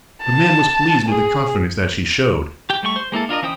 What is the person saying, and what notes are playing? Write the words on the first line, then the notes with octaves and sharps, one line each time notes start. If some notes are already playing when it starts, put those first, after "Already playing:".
The man was pleased with the confidence that she showed.
A5
G#4
G4 G5
G3 A3 G5 C#6
C5
G#3 A#3 E4 A4
D4 F4 A#4 D#5
E3 C#4 C5 G5 D#6